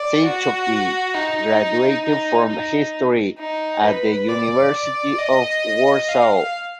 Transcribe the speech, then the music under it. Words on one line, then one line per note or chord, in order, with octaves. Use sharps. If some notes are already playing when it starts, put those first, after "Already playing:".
Cichocki graduated from history at the University of Warsaw.
Already playing: D5
F#4
D#4
D#4
D#4
D#4
B4
D5
D#5
F5